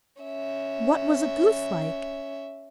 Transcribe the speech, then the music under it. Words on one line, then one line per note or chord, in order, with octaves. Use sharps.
'What was a goose like?'
C#4 E5